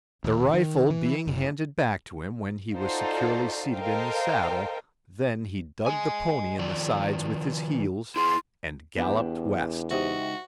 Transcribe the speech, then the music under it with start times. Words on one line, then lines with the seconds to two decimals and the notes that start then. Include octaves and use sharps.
The rifle being handed back to him when he was securely seated in the saddle, then he dug the pony in the sides with his heels, and galloped west.
0.24 D#1
0.54 D#3
0.90 E3
1.27 F#1
2.76 D#4 F4 F#4 A4 C5 D5
3.74 A4 A#4 C5 D#5 F5 G5
5.86 D#5 G#5
6.59 D#3 F3 D5
8.16 E4 G#4 C6
8.98 E2 B3 D4 G4
9.91 C#2 D#4 F#4 G4 C5 E5